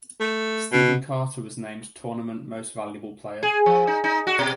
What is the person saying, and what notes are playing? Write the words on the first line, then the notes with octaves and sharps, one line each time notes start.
Steven Carter was named Tournament Most Valuable Player.
A3
B2
G#4
F3
D#4
D#4
F#4
B2